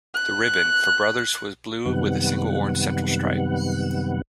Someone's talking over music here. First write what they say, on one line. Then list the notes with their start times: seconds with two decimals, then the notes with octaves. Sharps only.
The "ribbon" for Brothers was blue with a single orange central stripe.
0.14 F#6
1.86 F#2 C3 D#3 G3 B3 F#5